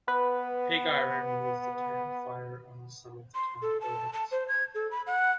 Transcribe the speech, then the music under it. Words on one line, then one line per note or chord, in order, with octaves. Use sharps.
Pigiron has the tank fire on some of the town buildings.
B3 B4
C6
A4
A5
A5
C5
G#6
A4
B5
F#5